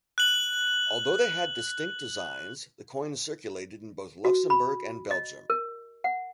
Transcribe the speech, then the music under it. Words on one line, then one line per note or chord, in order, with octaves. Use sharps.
Although they had distinct designs, the coins circulated in both Luxembourg and Belgium.
F#6 F#7
F#4
B5
D#5
A#4
F#5